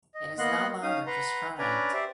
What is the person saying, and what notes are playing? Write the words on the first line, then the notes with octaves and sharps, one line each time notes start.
It is no longer prescribed.
D#5
A#3 B3 D#5 F#5 C6 F#6
C#4 D#4 F5 D#6
B4 F#5 A#5 C6
C#4 D4 B4 D5 G#5 A#5
G4 C5 D5 E5